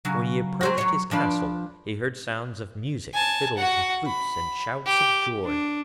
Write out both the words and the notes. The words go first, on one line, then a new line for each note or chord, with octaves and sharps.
When he approached his castle he heard sounds of music, fiddles and flutes, and shouts of joy.
C#3 F#3
F#3 C4 F#4
F#3 C#5
F3 D4 B4
G#5 A5
F#4 F#5
B5
G4
D4